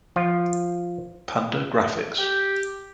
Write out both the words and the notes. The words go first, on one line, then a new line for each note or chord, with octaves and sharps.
Panda Graphics.
F3 F4
G4